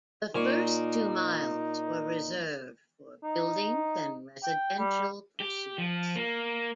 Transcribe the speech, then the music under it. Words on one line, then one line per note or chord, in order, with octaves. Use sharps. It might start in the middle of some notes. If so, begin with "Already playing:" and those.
The first two miles were reserved for buildings and residential pursuits.
A#2 D#4 G#5 C#6
D#4
G5
G3
G4
F3
A#3